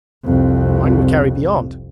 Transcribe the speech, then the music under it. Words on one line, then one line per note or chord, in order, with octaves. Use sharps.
Mine would carry beyond.
C2 F2